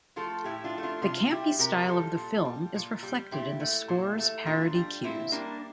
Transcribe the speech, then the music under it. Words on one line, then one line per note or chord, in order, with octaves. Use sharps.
The campy style of the film is reflected in the score's parody cues.
F3 A3 F4 A4
A2 E4 G4
D4 F4
F3 A3
D4 F4
C3 D4 F4
G3 E4 G4
C3 G4 A#4
G3 F4 A4
A#2
G3
A#2
G3
A#2 E4 G4
A3
A#2
A3
A#2 D4 F4
G3
A#2 C4 E4
G3 A#3 D4